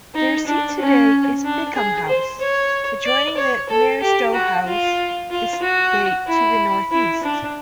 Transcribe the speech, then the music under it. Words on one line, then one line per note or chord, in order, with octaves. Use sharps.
Their seat today is Bickham House, adjoining the Maristow House estate to the north-east.
D#4
D4
C#4
D4
G#4
C5
C#5
D5
C#5
A4
G4
F#4
F4
F4
F#4
E4
E4
D4